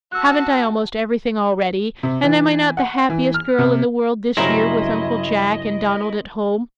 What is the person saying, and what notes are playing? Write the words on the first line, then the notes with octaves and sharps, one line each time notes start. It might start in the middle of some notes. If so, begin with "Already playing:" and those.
Haven't I almost everything already, and am I not the happiest girl in the world this year, with Uncle Jack and Donald at home?
F#4 A5 E6 F#6
C3
E3
F#5
E3
F6
C3
G2 C#3 F#3 E4 A#4 C5 D#5 A#5